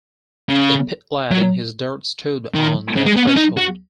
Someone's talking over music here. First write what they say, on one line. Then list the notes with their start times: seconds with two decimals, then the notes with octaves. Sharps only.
A pit-lad in his dirt stood on the threshold.
0.49 C#3
1.31 F#3
2.55 D#3
2.97 C#3
3.06 G#3
3.17 B3
3.28 C#4
3.37 D#4
3.58 F#4